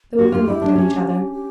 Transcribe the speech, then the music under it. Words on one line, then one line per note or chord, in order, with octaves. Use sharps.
The women looked at each other.
F#4 G4
F4
E4
D4
C#4
G4